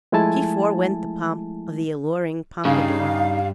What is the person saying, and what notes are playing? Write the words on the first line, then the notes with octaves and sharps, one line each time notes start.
She forewent the pomp of the alluring pompadour.
F3 G#3 A3 E4 G#5 A5
G2 C#3 D#4 F5